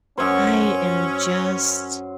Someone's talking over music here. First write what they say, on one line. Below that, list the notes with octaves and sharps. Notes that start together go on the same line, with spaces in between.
I am just
F#2 C#4 C5